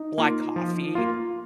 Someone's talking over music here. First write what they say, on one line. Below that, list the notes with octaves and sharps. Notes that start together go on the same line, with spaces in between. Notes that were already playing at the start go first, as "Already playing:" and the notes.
black coffee,
Already playing: D#4
A#3 F4
F3
A#3 F4